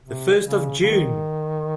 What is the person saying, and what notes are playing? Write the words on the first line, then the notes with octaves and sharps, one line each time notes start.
The first of June!
C3
C#3
C#3
D#3